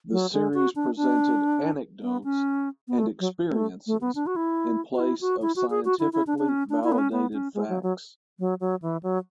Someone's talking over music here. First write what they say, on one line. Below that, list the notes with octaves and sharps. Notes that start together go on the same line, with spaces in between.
The series presented anecdotes and experiences in place of scientifically validated facts.
F#3
G#3
F#4
D4
D4
B3
C#4
B3
A3
F#3
A3
A3
B3
D4
F#4
E4
F#4
E4
F#4
E4
F#4
G#4
F#4
E4
E4
D4
D4
C#4
D4
E4
B3
C#4
B3
C#4
G#3
F#3
F#3
F#3
F#3
E3
F#3